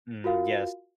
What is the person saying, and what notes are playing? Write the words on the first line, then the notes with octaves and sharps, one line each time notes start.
Mm, yes.
F4 F#4 A#4 F5